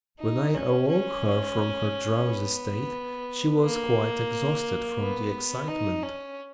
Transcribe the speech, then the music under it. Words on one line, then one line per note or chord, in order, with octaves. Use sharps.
When I awoke her from her drowsy state, she was quite exhausted from the excitement.
D#4
C#4
C#4
B3
A#3
B3
D#4
C#4